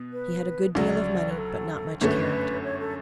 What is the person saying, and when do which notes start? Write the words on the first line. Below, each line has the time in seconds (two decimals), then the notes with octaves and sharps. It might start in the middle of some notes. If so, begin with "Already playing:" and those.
He had a good deal of money but not much character.
Already playing: B2 B3
0.13 B4
0.75 D2 C#3 F#3 D5
1.31 B4
1.38 A4
2.01 G1 F#2 D3 A3 B4
2.64 C#5
2.79 A4